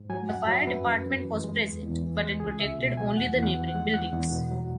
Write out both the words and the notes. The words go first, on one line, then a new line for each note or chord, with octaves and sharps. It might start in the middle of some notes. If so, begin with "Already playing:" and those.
The fire debarment was present, but it protected only the neighboring buildings.
Already playing: G#2
F#3 G#5
F#2 F#5
F#3 E5
F#2 B4
F#2
F#2
E3
G#3
E2
E2
E3
G#3
C#2 G#4
C#2 E5
B2
F#3 G#5
E2 F#5
E2
F#5
E3
F#5
G#3
E2 F#5
E2
B2
F#3